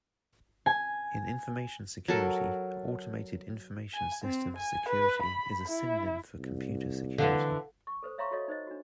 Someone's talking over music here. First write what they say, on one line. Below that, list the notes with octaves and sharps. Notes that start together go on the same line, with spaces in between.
In information security, automated information systems security is a synonym for computer security.
G#5
F#3 A4 A#4
G#5
C4
G#5
B4
B5
E4
C2
D3 E3 A4 F5 F#5
C#6
A4 B4 C5
C#5 E5 F5 A#5 C6 C#6
F4 F#4 A4 C#5 D#5
D#4 C5 D#5
D4 F#4